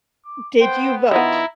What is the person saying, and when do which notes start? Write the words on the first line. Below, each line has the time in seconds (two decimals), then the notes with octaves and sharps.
"Did you vote?
0.25 D6
0.61 B3 C5 G5
1.11 D#3 B3 E4 F4 D#5 A#5